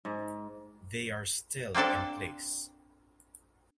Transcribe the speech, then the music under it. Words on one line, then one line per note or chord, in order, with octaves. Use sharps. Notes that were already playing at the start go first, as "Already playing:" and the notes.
They are still in place.
G#2
A#3 C4 D4 A4 D5